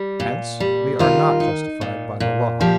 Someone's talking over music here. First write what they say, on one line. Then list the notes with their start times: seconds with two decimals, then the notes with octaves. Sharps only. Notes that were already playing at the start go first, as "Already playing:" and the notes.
Hence, we are not justified by the Law.
Already playing: G3
0.20 A#2
0.60 G3
0.99 D#3 F4
1.40 D#4
1.81 A#2
2.20 A#2
2.61 F3 G4